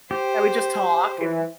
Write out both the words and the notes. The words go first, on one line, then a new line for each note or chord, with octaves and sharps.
And we'd just talk and
G4 C5
E3